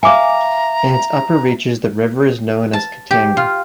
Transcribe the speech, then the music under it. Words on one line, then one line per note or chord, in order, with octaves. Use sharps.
In its upper reaches the river is known as Katanga.
E5 F5 G#5 A#5 D6
A5
G4
F4